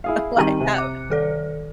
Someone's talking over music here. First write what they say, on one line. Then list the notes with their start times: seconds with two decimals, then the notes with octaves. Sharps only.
like, have
0.04 E4 G#4 F5
0.37 D#3 G3 C4 A#5 D#7
0.61 C3
0.74 D6 F#6 C#7
1.10 D#3 A4 D5